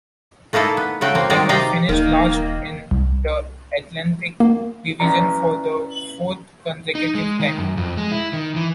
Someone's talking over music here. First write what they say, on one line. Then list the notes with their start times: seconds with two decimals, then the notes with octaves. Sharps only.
The Penguins finished last in the Atlantic Division for the fourth consecutive time.
0.53 A3 A#3 D#4 E4 A4
0.77 B3
1.01 C#3 A3 F#4 G5
1.15 A#3 C4
1.30 D#3 G#3 C4 D5 A#5
1.49 C3 D#4 D5 F5 G5 A#5
1.89 D#1 D#3 A#3
2.91 C2
4.40 A#3
5.00 C#4 E4 B4 D5 A#5
6.95 D#4
7.15 G#3
7.40 D#3
7.58 F#2
7.77 F2
7.97 G#3
8.11 E4
8.33 D#3
8.56 E3